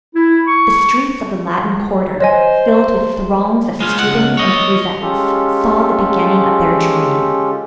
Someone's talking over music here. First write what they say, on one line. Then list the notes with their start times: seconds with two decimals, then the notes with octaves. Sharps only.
The streets of the Latin quarter, filled with throngs of students and grisettes, saw the beginning of their dream.
0.16 E4
0.46 C#6
2.20 C5 C#5 D#5 G#5
3.80 G#3 F4
3.99 C#2 F#5
4.37 C#5 D#5
5.02 G#3 C#4 F4 G4 A4